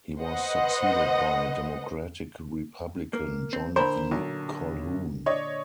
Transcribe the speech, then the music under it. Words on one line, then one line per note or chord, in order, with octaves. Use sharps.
He was succeeded by Democratic-Republican John E. Colhoun.
B4 C5 D#5 F#5
A#3
C4
A#2 D3 A#4 C5 B5
B1
D4 C#5 D#5